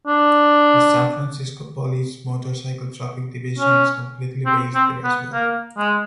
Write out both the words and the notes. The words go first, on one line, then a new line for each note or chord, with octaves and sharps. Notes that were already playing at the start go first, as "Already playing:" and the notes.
The San Francisco Police motorcycle traffic division is completely based there as well.
D4
C#4
C4
C4
B3
A#3
G#3